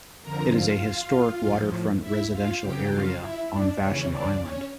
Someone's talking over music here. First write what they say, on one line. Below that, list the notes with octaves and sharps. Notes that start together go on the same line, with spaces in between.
It is a historic waterfront residential area on Vashon Island.
F2 D3 F3 A#4 A#5
F4 F5
A2 F3
E4 E5
F4 F5
F2 C#3 F#3 G4 G5
F4 F5
E4 E5
D4 D5
D#2 C#3 E3 C#4 C#5
D4 D5
C#4 C#5